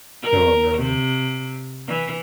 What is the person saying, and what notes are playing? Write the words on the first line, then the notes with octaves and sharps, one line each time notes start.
Oh, no.
A#4
C3
E3